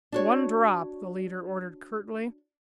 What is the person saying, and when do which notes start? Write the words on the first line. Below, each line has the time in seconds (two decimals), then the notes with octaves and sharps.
"One drop!" the leader ordered curtly.
0.12 D4 F#4 C#5